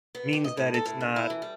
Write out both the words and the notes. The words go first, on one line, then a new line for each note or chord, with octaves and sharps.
means that it's not
B3
G4
D#5
A2
A4
A2
D4
E4
E3
G3